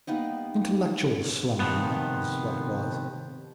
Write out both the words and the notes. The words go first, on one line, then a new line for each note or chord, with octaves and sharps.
Intellectual slumming, that was what it was.
G3 A#3 B3 D#4
C3 D#3 F3 B3